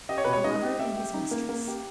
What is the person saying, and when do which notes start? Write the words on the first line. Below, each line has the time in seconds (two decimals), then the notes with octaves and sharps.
A Lover and His Mistress.
0.09 G4 D#5
0.18 C#5
0.25 B2 B4
0.33 C#5
0.44 D#4 D#5
0.62 G4
0.79 G4 E5
0.96 G4
1.14 D#4
1.31 A#3
1.49 A#3
1.67 G4